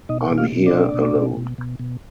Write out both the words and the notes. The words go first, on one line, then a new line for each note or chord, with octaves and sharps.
I’m here alone.
B2 D#4 D#5
B2
F4 F5
B2
D4 D5
B2
B2
B2
B2
B2
B2